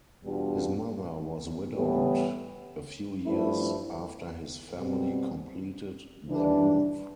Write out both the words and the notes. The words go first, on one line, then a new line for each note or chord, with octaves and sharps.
His mother was widowed a few years after his family completed their move.
E2 B2 G3 D4 F4
A2 E3 G3 B3
G2 F3 A3 E4
B2 G3 C4
E3 G3 D4